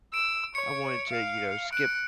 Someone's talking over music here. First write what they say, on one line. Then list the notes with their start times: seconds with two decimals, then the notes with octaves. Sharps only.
I wanted to, you know, skip,
0.14 E6 D7
0.55 C#5 C#7
1.10 F5
1.73 F#6 D7